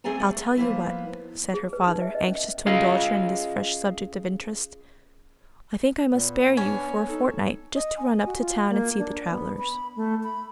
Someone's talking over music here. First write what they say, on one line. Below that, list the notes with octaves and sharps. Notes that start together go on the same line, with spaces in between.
'I'll tell you what,' said her father, anxious to indulge her in this fresh subject of interest, 'I think I must spare you for a fortnight just to run up to town and see the travellers.
A3 C4 G#4 D5 G#5 A#5
A3
F3 A#3 B3 E4
G#4
B4
D#4
E5
D#5
C#4
C#4 F4 G#4 D#5 F5
A#2 B3
C#4 D4
D#4 A4
D#5
G#5
F#4
F4
A#3
D4
B3
B5
A3
B5